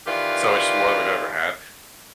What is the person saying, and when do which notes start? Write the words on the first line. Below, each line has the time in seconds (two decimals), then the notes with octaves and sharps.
so it's more than we've ever had,
0.07 D#3 E3 F4 G4 B4 D5